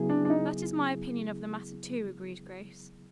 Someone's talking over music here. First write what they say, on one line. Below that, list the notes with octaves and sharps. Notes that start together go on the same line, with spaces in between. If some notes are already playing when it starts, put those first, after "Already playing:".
"That is my opinion of the matter, too," agreed Grace.
Already playing: C#3 F#3 B3 E4 G#4
D4
D4
D#4